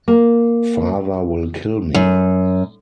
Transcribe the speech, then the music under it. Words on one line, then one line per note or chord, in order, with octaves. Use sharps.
Father will kill me.
A#3
F#2